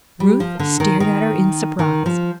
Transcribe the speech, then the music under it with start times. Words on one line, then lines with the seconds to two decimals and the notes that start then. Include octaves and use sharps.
Ruth stared at her in surprise.
0.20 G3
0.40 F3
0.59 D3
0.80 D#3
1.00 D#3
1.79 D#3
2.06 F3